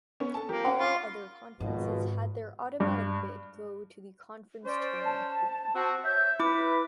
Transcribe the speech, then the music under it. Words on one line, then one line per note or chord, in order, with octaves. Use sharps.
All other conferences had their automatic bid go to the conference tournament winner.
B3 C#4
A4 A5
F3 A#3 G4 A#4
C#4 F#5
F4 B5 C#6 D6
G#1 G#2 B2 F3
G2
C#4 C5 D5
A5
C4 F#4
C#5 E5 G6
E4 B4 D6